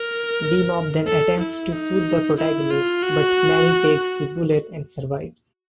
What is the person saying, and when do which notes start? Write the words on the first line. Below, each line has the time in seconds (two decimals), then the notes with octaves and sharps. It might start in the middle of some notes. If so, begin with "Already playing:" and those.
D-Mob then attempts to shoot The Protagonist but Manny takes the bullet and survives.
Already playing: A#4
1.06 A4
1.39 E4
1.72 D#4
2.37 E4
2.70 F4
3.03 F#4